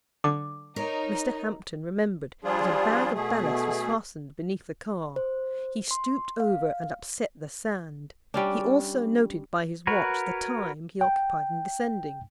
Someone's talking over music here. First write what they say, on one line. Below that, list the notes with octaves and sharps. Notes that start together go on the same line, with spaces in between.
Mr. Hampton remembered that a bag of ballast was fastened beneath the car, he stooped over and upset the sand, he also noted by his watch the time he occupied in descending.
D3 D6
D#4 A#4 C#5
F3 G3 D4 F4 G#4
B2 A3 G#4
C5
C6
F5
G3 C#4 D4
F#4 A#4 B4 C#5
G5